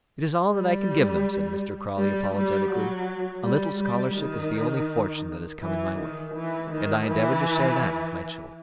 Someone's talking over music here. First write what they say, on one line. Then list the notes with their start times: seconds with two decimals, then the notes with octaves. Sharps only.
"It is all that I can give them," said Mr. Crawley, apologetically. "A little scholarship is the only fortune that has come in my way, and I endeavour to share that with my children."
0.53 G3
1.98 G3
2.34 G3
2.70 F#3
3.43 G3
3.79 G3
4.16 D#3
5.61 E3
5.97 D#3
6.34 E3
6.70 D#3
7.06 E3